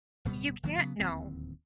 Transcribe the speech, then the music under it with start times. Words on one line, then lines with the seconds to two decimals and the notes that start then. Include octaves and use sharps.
you can't know.
0.25 D1 B2 G3 B3
0.63 G#1 D#3 F#3 A#3
0.78 C#3 F#3 G3 B3
0.99 D1 D#2 A2 C4